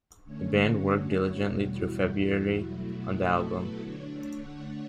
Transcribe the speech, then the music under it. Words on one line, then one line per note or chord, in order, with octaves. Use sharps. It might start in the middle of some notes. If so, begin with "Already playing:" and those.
The band worked diligently through February on the album.
D3 A3 C#4 C#5
F#4
F#4
E4
E2 B2 G3 F#4
E4
F#4
E4
B2 F#3 A3 E4
F#4
A4
B4
D3 A3 D4 C#5
F#5